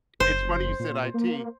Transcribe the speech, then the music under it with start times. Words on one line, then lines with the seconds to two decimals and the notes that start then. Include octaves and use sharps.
It's funny you said IT.
0.20 F#1 C5
0.80 A#2
1.14 A#3